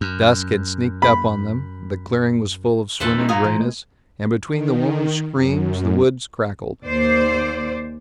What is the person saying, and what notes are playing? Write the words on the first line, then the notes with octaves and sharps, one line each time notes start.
Dusk had sneaked up on them; the clearing was full of swimming grayness, and between the woman's screams, the woods crackled.
F#2
B5
E2 C3 D#3 A4 B4 C5
G#3 C#4 D#4 E4 G#6
A#2 F4 F5 G#5 A#5 D#6
A#2 E3 C5
A3 A#3 D#5
D#3
F#2
D#2 C5 D5